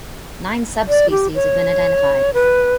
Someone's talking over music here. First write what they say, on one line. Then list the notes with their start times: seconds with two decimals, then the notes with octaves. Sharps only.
Nine subspecies have been identified.
0.88 D5
1.11 G4
1.35 C#5
2.34 B4